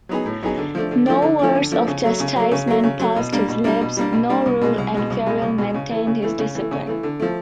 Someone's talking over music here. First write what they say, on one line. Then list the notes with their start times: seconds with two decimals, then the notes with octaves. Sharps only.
No words of chastisement passed his lips; no rule and ferule maintained his discipline.
0.09 F#3 B3 D#4 G#4
0.26 A2
0.43 F#3 B3 D#4 G#4
0.58 D3
0.75 F3 A3 D4
0.91 D3
1.06 F3 A3 D4
1.22 D3
1.39 F3 A3 D4
1.55 D3
1.72 F3 A3 D4
1.88 C#3
2.03 F#3 A3
2.20 C#3
2.36 F#3 A3
2.51 C#3
2.67 F#3 A3
2.83 C#3
3.00 F#3 A3
3.16 B2
3.32 G3 A#3 D4
3.48 B2
3.64 G3 A#3 D4
3.81 B2
3.97 G3 A#3 D4
4.13 B2
4.29 G3 A#3 D4
4.46 C2
4.61 B2 G#3
4.78 C2
4.94 B2 G#3
5.10 C2
5.26 B2 G#3
5.42 C2
5.58 B2 G#3
5.74 C#3
5.91 E3 A3
6.07 C#3
6.22 E3 A3
6.39 C#3
6.55 E3
6.60 A3
6.71 C#3
6.87 E3 A3
7.03 D3
7.20 F3 A3